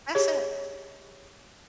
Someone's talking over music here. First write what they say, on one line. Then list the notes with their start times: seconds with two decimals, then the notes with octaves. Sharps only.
That's it.
0.15 G4 G#4 C#5